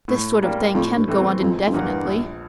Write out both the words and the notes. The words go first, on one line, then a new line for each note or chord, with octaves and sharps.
This sort of thing can't go on indefinitely.
A2
G3 A#3 D4
F2 A2
G2
E3 A3 C4
E2
E1 F2
F2
E2 G2 E3 A#3
A#1